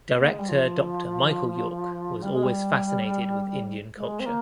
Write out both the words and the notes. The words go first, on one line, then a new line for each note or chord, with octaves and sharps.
Director Doctor Michael Yorke was always fascinated with Indian culture.
A#3
G#3
G3
F3
G3
G#3
G3
G#3
C4
A#3